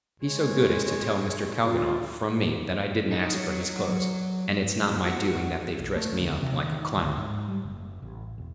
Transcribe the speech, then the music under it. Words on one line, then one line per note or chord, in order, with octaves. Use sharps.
"Be so good as to tell Mr. Kalganov from me that I didn't ask for his clothes, and it's not my doing that they've dressed me up like a clown."
G#3 C#5
F4
D#4
F#3 C#5
F#4
B1
A3
D2
C3
D#3
D2
G#2
G3
F#1
A1
E1